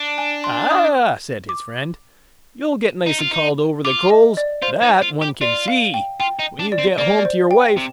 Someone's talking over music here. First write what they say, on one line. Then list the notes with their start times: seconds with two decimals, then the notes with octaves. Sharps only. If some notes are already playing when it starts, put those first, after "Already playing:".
'Ah!' said his friend, 'you'll get nicely called over the coals, that one can see, when you get home to your wife.
Already playing: D4
0.18 G#5
0.44 C6
0.71 D#6
1.49 D6
3.06 D#4
3.19 F4
3.31 D#4
3.85 F4 D6
4.10 D#5
4.37 D5
4.62 F4 C5
4.83 D#4
5.02 F4
5.22 G4
5.41 F4 D5
5.68 F5
5.94 G5
6.20 F4 G5
6.39 D#4
6.59 D4
6.72 D5
6.78 C4
6.98 A#3 D5
7.18 D5
7.25 C5
7.51 G5
7.77 C3